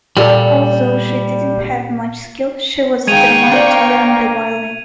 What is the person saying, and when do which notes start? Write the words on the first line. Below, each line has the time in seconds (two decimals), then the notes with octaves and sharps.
Although she didn't have much skill, she was determined to learn the violin.
0.17 A#2 G3 A4
3.07 D#3 G#3 F5 G5 C#6 G#6 D#7 F7
3.52 A#3 D4 C5 D5